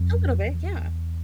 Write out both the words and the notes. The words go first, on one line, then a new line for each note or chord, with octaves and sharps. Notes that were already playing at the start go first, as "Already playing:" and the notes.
A little bit, yeah.
Already playing: F2
E2